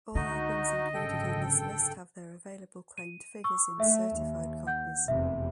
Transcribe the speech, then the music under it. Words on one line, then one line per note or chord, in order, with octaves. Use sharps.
All albums included on this list have their available claimed figures in certified copies.
C#2 D3 D#4 F#4 D#5
G#1 F#2 C#3 A4 G5
D#7
C#6 E6
A3 E5
D#2
F#5 G6
F1 E2 C3 E5